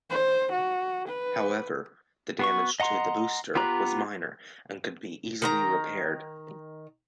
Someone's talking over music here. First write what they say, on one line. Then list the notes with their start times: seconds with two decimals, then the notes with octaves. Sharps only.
However, the damage to the booster was minor and could be easily repaired.
0.10 C5
0.52 F#4
1.08 B4
2.39 B3 F#4 C#6
2.80 D#5 F#5 A#5 C6
3.55 B3 F4 G4 A#5 F#6
5.42 D#3 B4 A#5